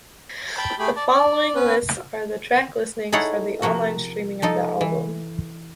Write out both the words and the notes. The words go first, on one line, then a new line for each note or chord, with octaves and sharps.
The following lists are the track listings for the online streaming of the album.
G5 A5 B5
A3 G4 G#4 B5
D5 A5
D5
B3 C#4 B4
D#4 E4 G#4 A4 C#5 F#5
C3 F3 A#3 F#4
F3 D#4 A4
E3